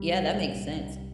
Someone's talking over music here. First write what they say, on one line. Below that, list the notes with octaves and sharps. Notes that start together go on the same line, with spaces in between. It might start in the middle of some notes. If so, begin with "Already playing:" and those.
Yeah, that makes sense.
Already playing: C2 G3
F#3
A#2
C2
C2